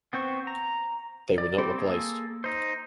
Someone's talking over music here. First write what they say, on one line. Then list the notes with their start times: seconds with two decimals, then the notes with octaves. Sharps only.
They were not replaced.
0.13 B3 C4 C5 C#6
0.47 A#5
1.38 D5
1.58 G3 C4 G4
1.78 A#3 G#4 A4
2.44 D#4 C5